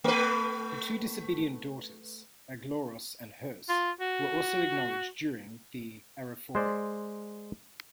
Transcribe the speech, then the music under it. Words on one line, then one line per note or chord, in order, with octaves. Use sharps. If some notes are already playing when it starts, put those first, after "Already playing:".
The two disobedient daughters, Aglauros and Herse, were also acknowledged during the Arrephoria.
A3 B4
F4
F#4
G#3 C5 D5